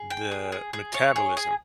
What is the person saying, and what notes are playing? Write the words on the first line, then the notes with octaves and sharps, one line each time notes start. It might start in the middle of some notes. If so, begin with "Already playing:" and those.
the metabolism.
Already playing: G#4
G5
G#4
G#4
G#4
C#5
G#4
G#4